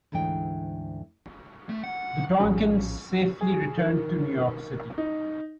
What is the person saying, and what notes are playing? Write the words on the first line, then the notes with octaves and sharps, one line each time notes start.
The "Tonquin" safely returned to New York City.
D2 G#2 E3 D4 G5
A3
F#5
A#1 A2 F3 C#4
G#4
D#3
D#4